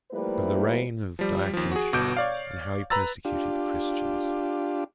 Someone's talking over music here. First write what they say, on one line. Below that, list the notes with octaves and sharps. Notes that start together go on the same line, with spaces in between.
Of the reign of Diocletian, and how he persecuted the Christians.
F3 G3 A3 A#3 E4 B4
F3 G3
D#2 F3
F#4 G#4
G1 B2 F#4 D6 G6 D7
C#5 D5 F5
B4 A#5 B5 E6 A6
D4 F4 G4